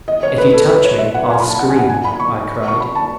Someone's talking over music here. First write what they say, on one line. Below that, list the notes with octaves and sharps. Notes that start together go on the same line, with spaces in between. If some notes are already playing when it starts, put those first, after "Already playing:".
"If you touch me, I'll scream," I cried.
D#5
C#5
B4
A4
B4
C#5
E5
F#5
G#5
B5
A5
F#5
G#5
F#5
G#5
B5
C#6
C#6
B5
A5